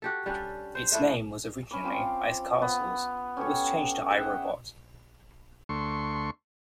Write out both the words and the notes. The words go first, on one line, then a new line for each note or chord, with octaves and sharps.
Its name was originally "Ice Castles", but was changed to "I, Robot".
F#4 G4 A4
G3 C#4 D4
C5
A3 D4 E4
C#4 B5 D6
F3 C4 F4 D6
B3
C#4 G4 A4 C#5
G#4 E5 F#5 G5
D2 A3 C6 C#6